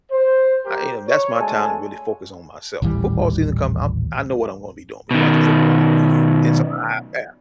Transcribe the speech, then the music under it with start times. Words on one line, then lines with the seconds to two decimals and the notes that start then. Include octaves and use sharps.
I you know, that's my time to really focus on myself. Football season come, I'm I know what I'm gonna be doing, be watching football all weekend and so, I Yeah,
0.12 C5
0.66 G4 A#4
1.08 C#5
1.40 D2 G#3 A4 G#5
2.82 D#1 A1 E3 G3
5.11 B2 D#3